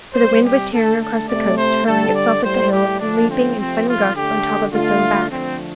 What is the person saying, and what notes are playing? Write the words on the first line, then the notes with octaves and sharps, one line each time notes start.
For the wind was tearing across the coast, hurling itself at the hills, and leaping, in sudden gusts, on top of its own back.
C3 G3 C5
G4
D3 A3 A4
A4
C3 A3 D5
C5
D3 G3 A4
D5
A2 G3 C5
G4
D3 F3 A3 D4
C4
C3 F3 A3 C4
F4
D3 A3 G4
D3 A3 F4
D3 F3 A3 C4